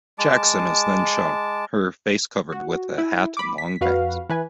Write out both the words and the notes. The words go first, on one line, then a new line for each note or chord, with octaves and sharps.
Jackson is then shown, her face covered with a hat and long bangs.
G#3 A5 D6
F#4
E4
B5 D6
B6
F2 F#4 B4 F5
E3 B4 G#5